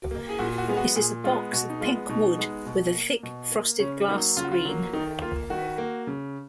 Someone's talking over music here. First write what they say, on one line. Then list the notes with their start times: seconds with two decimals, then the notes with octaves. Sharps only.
It is a box of pink wood with a thick frosted glass screen.
0.11 A#3
0.29 G#4
0.39 A#2 F#4
0.58 F#4
0.68 G#3 B3 G#4
0.77 F#4
0.96 A#2 G#4
1.24 G#3 B3 F4
1.53 B2 F#4
1.70 D#4
1.81 G#3 F4
1.85 B3
2.09 B2 D#4
2.38 G#3 B3
2.66 B2
2.95 A#3
3.23 B2
3.52 A#3
3.79 C#3 C#4
4.08 F#3 A#3 D#4
4.37 C#3 F4
4.44 F#4
4.52 F4
4.65 F#3 A#3
4.93 D#3 D#4
5.22 A#3 F4
5.50 D#3 F#4
5.78 A#3
6.07 C#3